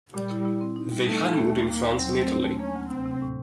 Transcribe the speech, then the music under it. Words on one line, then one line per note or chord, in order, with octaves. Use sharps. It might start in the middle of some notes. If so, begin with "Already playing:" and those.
They honeymooned in France and Italy.
A#2 G3
E4
E4
C4
D#4
G3
A3 D#4
D#4
D#2
D#2
D#2 A#3
D#2
F#3 C4
A3
D4
A3
A#3 C#4
D2
C3 C4
C3
A2